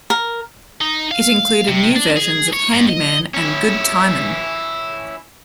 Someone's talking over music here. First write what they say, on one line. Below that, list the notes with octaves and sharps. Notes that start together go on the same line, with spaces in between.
It included new versions of "Handy Man" and "Good Timin'".
A#4
D#4
F5
C3
D4
G#4
C#5
G2
D#5
C#4 E4